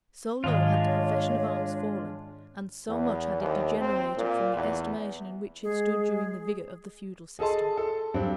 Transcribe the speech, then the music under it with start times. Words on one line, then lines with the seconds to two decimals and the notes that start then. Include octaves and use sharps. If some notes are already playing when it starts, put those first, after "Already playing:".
So low had the profession of arms fallen, and so much had it degenerated from the estimation in which it stood during the vigor of the feudal system!
0.44 G#2 D#3 G#3 D4 F4 C#5 D#6
2.88 E2
3.41 D#2
3.80 C4
4.17 A#2
4.55 E2
5.63 G#3 G#4
7.39 G#4 A4 D#5 A5 C6
7.77 A4
8.14 G2 F#3 C4 D4